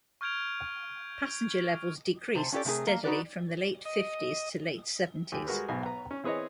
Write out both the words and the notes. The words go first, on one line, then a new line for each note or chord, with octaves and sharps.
Passenger levels decreased steadily from the late fifties to late seventies.
C#6 F6 G6 G#6 D7 F7
C3 C5 A5
C#4 F4 G4 A4 D5
C3 A3 E4 G#4 A#4
A#3
D#4 F#4 B4 D5
D#5
D#2 G4 G#5
G3 G#3 F#4 G#4 A#4 B4
B1 G#2 B2 G#5
B3 B4 A#5
C#4
E3 C4 G#4 B4 C#5 D#5